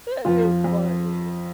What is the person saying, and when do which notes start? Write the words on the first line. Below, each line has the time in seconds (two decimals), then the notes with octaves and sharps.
That is funny.
0.25 F2 F4
0.45 F3
0.64 F2